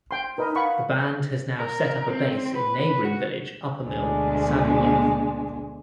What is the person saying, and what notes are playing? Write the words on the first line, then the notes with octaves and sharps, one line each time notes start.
The band has now set up a base in neighbouring village Uppermill, Saddleworth.
G5 C6
D#4 A#4 B4 D#5
F5 F#5 B5 C#6
A#4
C4
B4
B4
F#4
D2 B2 G#3 D4